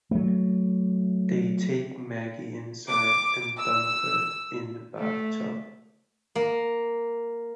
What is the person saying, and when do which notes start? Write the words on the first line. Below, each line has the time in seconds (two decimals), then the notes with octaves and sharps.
They take Maggie inside and dump her in the bathtub.
0.11 F#3 A3
2.89 D6
3.57 E6
4.99 A3
6.36 A#3